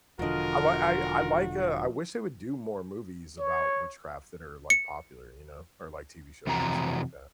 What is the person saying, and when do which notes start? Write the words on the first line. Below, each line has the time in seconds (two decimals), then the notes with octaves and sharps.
I li I I, like, uh I wish they would do more movies about witchcraft that are, like, popular, you know, or, like, TV shows and stuff like that.
0.19 E1 D3 F3 F4 F#4 A#4 D#5
3.39 C#5
4.70 C#7
6.47 F2 C3 E3 F#4 A#5